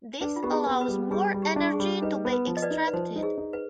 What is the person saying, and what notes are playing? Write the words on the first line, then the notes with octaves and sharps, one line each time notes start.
This allows more energy to be extracted.
D4 B4
F4
B3 G4
G#4
B3
B4
G3
G3 G#4
G3
G4
D4
G4
G#4
G3
D#4 B4
B3
B4
F3
D#5
B4 D5
D#4
B4
F3 C5
D#4
G#4
D#4
B4